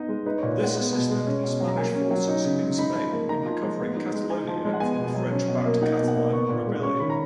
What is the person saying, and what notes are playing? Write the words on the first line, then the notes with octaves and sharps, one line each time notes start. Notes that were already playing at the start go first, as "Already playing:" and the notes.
This assisted Spanish forces in Spain in recovering Catalonia from the French-backed Catalan rebellion.
Already playing: B3 D#4 D#5
G#3
D#4 B4
A#2 C#5
D#5
G#3 F#5
B3
B2
G#3
C#4
B2
F#3
A#5
A#3 G#5
C#4
F#3
D#4
C#3
G#3
D#4 B5
F3
A#3
D#4 A#5
F3
G#3
B3
D#4
G#3
D#4 G#5
F3
G#3
F#5
B3 G#5
B2
F#3
C#4
B2
A#3
D#4 F#5
B2
F#5
A#3
B3 C#6
A#2
G#3
C#4 C#6
D#3 B5
A#5